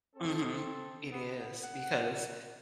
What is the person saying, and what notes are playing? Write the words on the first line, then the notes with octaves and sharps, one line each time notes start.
Mhm. It is, because,
C4 A4
B3
F#5